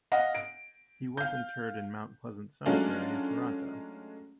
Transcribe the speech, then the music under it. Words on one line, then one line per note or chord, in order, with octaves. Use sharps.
He was interred in Mount Pleasant Cemetery in Toronto.
D#5 F5 F#5
D7
F5 G6
F#3 G#3 A3 C#4 D4 F4